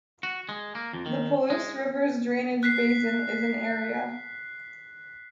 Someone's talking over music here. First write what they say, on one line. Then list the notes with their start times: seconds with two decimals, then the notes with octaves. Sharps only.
The Palouse River's drainage basin is in area.
0.23 F#4
0.49 G#3
0.75 A#3
0.93 F2
1.06 D#3
1.50 G#3
2.63 F#6 B6 C7